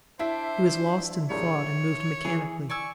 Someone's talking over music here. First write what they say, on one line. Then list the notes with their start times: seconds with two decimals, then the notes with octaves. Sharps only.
He was lost in thought and moved mechanically.
0.19 D4 E4 C5 E5
1.30 A#1 G3 G#3 C#5
2.25 E3 G#4
2.70 D5 G#5 C#6 E6